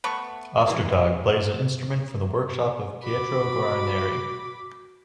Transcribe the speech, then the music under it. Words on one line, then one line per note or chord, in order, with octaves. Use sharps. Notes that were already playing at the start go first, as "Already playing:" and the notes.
Ostertag plays an instrument from the workshop of Pietro Guarneri.
A3 B3 C#6
B2 E3 G#3
F#4 B5 D6